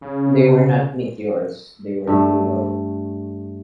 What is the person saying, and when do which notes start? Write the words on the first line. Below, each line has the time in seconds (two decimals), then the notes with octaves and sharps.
They were not meteors; they were too low.
0.01 C#3
2.07 G2 A3